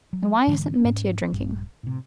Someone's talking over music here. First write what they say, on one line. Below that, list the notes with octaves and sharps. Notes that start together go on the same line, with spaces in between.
And why isn't Mitya drinking?
F#3
G#2 D3 E3 G#3
G#2 C#4
A#1 G2
A2 C3